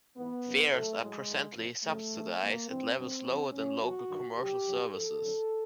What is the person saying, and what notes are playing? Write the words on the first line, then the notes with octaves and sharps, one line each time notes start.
Fares are presently subsidised at levels lower than local commercial services.
G#2 E3 B3
F#2 C#3 F#3
A2 F#3 A3
A2 F#3 G#3
D#2 D#3 F#3
F2 C3 F3
F#2 C#3 F3 A3
G2 E3
F2 D3 F#3 A#3
G2 E3 C4
G2 D3 F#3 C4
F2 C3 F3
F#2 C#3 F#3 C#4
E2 B2 F#3 F#4
G2 D#3 F#3
D#2 D3 F#3 G4
F2 C#3 F#3
G#2 F3 A4
F2 D3 F#3